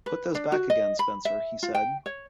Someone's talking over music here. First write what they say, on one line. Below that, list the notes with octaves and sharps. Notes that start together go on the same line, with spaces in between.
"Put those back again, Spencer," he said.
B4
D4
F#4
D#5
B5
E5
F4
G5
C#5